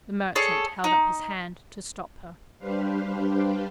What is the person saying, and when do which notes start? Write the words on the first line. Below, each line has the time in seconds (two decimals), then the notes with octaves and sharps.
The merchant held up his hand to stop her.
0.35 G#4 A4 C#5 D5
0.84 D#4
2.59 G3 D4 G4 B4 C5 F5